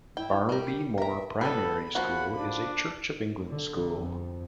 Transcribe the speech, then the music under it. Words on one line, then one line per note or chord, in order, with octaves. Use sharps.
Barmby Moor Primary School is a Church of England school.
E4 G5
G3 G4 A#4
A#4 E5 A#5
G3 B3 A4 B5
F3 A#3 F#4 F#5
D4
D3
F2